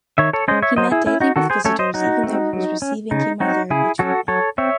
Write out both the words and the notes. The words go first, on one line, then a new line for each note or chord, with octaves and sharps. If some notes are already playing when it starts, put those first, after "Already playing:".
He met daily with visitors, even though he was receiving chemotherapy treatment.
D#3 C#5 E5
A4 C#5
G#3 C#4 C5 D#5
C#5 E5
F#3 C5 D#5
E4 G#4
C#4 E4
D#4 F#4
D#3 F#4 A4
G#4 C5
A3 C#4 A4 C#5
C5 D#5
F#3 D#4 F#4
A3 C4
F#3
C#4
C#3 D#4
F#3 C4 D#4 F#4
C#3 E4 G#4
F#3 C#4 F#4 A4
F#3 A4 C#5
C4 C#5 E5